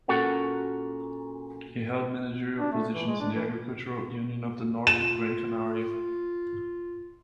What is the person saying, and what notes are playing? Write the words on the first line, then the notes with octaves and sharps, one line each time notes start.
He held managerial positions in the Agricultural Union of the North of Gran Canaria.
A#2 C#4 F#4 A4 A#4 F#5
D4
A3
E3
G#3
D4
E3
F4 E7